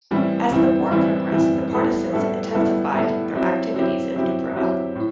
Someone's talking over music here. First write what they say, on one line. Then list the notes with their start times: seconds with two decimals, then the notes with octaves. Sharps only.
As the war progressed, the partisans intensified their activities in Dubrava.
0.11 A2 E3 G3 C4 E4
0.51 A2 E3 G3 C4 E4
0.91 A2 E3 G3 C4 E4
1.32 A2 E3 G3 C4 E4
1.73 A2 G3 B3 E4 A4
2.13 A2 G3 B3 E4 A4
2.53 A2 G3 B3 E4 A4
2.94 A2 G3 B3 E4 A4
3.34 F#3 C4 E4 G4
3.74 F#3 C4 E4 G4
4.16 F#3 C4 E4 G4
4.56 F#3 C4 E4 G4
4.95 A2